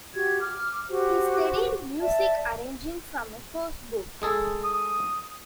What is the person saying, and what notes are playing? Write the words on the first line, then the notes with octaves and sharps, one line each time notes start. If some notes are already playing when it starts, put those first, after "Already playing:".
He studied music arranging from a course book.
F#4 G4 G#6
D6 F6
F#4 G4 C5
D5 E5 A5
G#3 G#4 A4
D#6